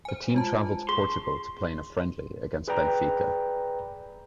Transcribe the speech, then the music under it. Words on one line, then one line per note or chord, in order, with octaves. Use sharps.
The team travelled to Portugal to play in a friendly against Benfica.
C5 G#5
G#3 F4 A5
G#4 C6
G#4 B4 D5 G5 A#5